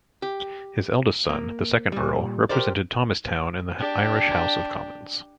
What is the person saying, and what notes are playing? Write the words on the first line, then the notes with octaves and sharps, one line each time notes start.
His eldest son, the second Earl, represented Thomastown in the Irish House of Commons.
G4
A#3
A#2 G3
G4 A#4 C5 D5
D4 G4